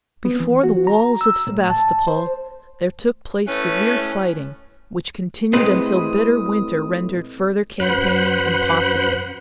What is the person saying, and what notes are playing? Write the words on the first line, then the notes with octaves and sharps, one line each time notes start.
Before the walls of Sebastopol there took place severe fighting, which continued until bitter winter rendered further campaigning impossible.
B3
E3
F#4
A#5
E6
A2
A5
C5
A2 A3 C#4 B4
A2 G#3 C4 G4 B4 D#6
F#2 B4 C5 F#5 B5